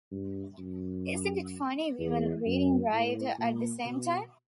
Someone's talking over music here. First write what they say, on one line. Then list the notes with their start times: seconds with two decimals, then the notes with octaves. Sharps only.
Isn't it funny we were reading Wright at the same time.
0.11 G2
0.58 F#2
1.99 E2
2.46 F#2
2.92 A2
3.38 A#2
3.85 B2